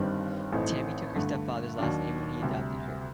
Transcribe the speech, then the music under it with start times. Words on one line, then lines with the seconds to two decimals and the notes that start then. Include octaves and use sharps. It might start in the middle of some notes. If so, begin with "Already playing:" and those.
Tammy took her stepfather's last name when he adopted her.
Already playing: G1 G2 D#3 G3 C4
0.53 A1 A2 A3 C4 D#4
1.15 G2 D3 A3
1.79 D#2 D#3 F#3 A#3 D4
2.41 D2 C3 G3